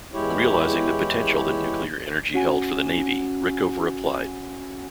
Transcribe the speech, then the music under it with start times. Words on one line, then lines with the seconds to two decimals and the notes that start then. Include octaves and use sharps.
Realizing the potential that nuclear energy held for the Navy, Rickover applied.
0.14 E2 G#3 E4 G4 C#5
2.33 C#4 F#4 F#5 G#5